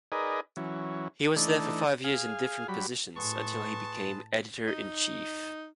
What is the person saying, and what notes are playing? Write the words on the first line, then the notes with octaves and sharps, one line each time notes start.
He was there for five years in different positions until he became editor-in-chief.
D#4 G#4 A#4 B4 D5 D#5
E3 F#3 C#4
E3 A3 D4 D#4
G#4 F5
F#3 G3 B5
A2 G#4 B4 A5 C6 C#6
D#4